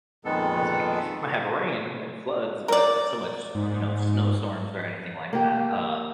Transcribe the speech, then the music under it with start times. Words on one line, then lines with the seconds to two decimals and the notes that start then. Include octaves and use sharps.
like, might have rain and floods, but not so much, you know, snowstorms or anything like that. Uh,
0.25 F2 A#2 D#3 G#3 B3 A4
2.68 A#4 D5
3.55 G#2
5.33 A#3 G4